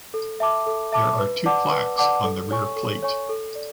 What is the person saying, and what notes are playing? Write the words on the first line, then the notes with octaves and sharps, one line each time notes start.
There are two plaques on the rear plate.
A4
E5 A5 D6
A4
E5 A5 D6
B4
D5 F#5 A5 D6
B4
D5 F#5 A5 D6
A4
C#5 G#5 C#6
A4
C#5 G#5 C#6
A4
D5